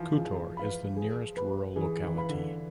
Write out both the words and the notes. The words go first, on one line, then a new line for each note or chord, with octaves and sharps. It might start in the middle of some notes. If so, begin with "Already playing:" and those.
Khutor is the nearest rural locality.
Already playing: E3 F3
F3 G#4
B4 F5 B5
G#4
B4 F5 B5
E3 G#4
E3
B4 F5 B5
D3